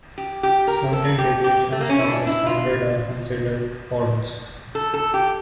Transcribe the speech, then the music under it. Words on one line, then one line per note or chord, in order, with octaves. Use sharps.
Certain deviations from the standard are considered "faults".
G4
G4
A#4
A4
G4
G4
A3
A#3
C#4
E4
D4
E4
F4
A4
A4
G4